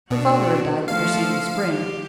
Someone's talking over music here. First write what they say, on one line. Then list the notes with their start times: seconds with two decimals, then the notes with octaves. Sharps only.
Her father had died the preceding spring.
0.11 B2 D4 F#4
0.88 F3 A3 F5
1.69 G4